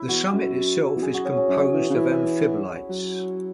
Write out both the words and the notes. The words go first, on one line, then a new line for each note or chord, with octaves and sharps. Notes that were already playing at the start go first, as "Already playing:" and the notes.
The summit itself is composed of amphibolites.
Already playing: E4
E2 F#4
F#2
E2
F#2 G#4
F#4
C#4
C#4
F#2
E3
C#3
E3 E4
F#3